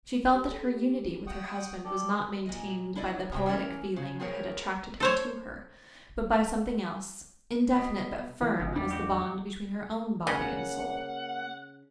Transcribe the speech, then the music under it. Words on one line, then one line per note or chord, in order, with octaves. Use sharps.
She felt that her unity with her husband was not maintained by the poetic feelings that had attracted him to her, but by something else--indefinite but firm as the bond between her own body and soul.
G4
A4
G4
F#5 G5 C#6 D#6
G4 A4 D5
A#2 D#5
D4 E4 A4 D5 D#5
C3 F#3 G#4 E5 G5
E3 A3 C#4 A#4
C#3
C4 G#4 A#4 C#5
A4 C5 C#5
B2
E3
G1 C#2 G#2 B2
E2 G#2 G3 D4
F2 F#4 G4
C#3 A#3 F#5